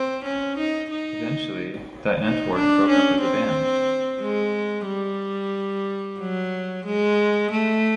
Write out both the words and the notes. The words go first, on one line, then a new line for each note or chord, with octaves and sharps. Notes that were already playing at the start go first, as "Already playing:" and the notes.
Eventually, Die Antwort broke up as a band.
Already playing: C4
C#4
D#4
D#4
D#4
D4
C#4
C4
G#3
G3
F#3
G#3
A3